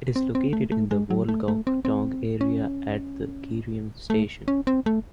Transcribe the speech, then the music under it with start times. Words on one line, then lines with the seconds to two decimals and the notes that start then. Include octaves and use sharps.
It is located in the Wolgok-dong area at Gireum Station.
0.16 C4
0.35 C4
0.53 A3
0.72 A3
0.91 G#3
1.10 F#3
1.29 A3
1.48 A3
1.67 C4
1.85 C4
2.41 C#4
4.10 A3
4.48 C#4
4.67 C4
4.86 A3